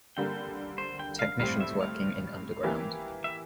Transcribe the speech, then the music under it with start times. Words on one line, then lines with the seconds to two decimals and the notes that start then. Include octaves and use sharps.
Technicians working in underground.
0.17 D3 G3 A#3 G5
0.78 C5
0.99 G5
1.19 F5
1.40 A2 G3 C4 F5
1.61 E5
1.81 F5
2.63 E3 A#3 E4 G4
3.24 E5